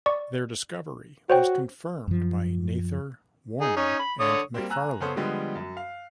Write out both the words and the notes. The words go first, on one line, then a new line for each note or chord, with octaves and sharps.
Their discovery was confirmed by Nather, Warner, and Macfarlane.
D5 C#6
F#4 C5 C#5 G5
F#2 F3
D#4 G#4
C#4 D#4
B5
D3 C#5 D#6
G3 A#3 C4
G#5 A#5 E6 F#6
C#3 B3 C#4 A4 C5
D3 F3 G3 G#3 B3
F#2
F5